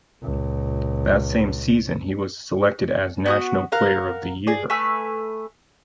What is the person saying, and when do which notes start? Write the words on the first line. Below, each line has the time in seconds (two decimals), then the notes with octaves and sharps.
That same season he was selected as National Player of the Year.
0.22 C#2 A#2
3.26 B3 F#4 D#6
3.72 A#4 F5 F#5
4.47 G#4 D5
4.70 A3 B4 G#5 E6